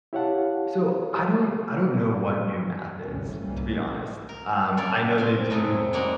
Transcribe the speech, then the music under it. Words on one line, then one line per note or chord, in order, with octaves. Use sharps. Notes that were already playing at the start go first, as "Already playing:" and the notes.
So, I don't I don't know what new math is, to be honest, um, I know they do
E4 G4 C#5 F5 F#5 A5
G1 D2 A2 C3 E3 C#4
G1 C2 E3 G3 A#3 C#4
A#4
C#3 A#3 C#5 D5
C4 G#5
F2 C3 F#3 A3 G#4
G3 G#3 A#3 C#4 F#4 F#5